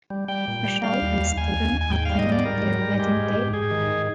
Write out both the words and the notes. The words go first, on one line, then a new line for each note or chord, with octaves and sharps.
Michelle and Stephen are planning their wedding day.
G3
G3 G5
A#2
G3
G3 F5
D#2
D#2
D#2 G#5
D#2
D#2
G#5
G#2 G5
G3 F5
D#5
G#2 D5
G3 A#4
G#2
G3
G#3 G4
G#2
G#2
G#2 G#4
D#3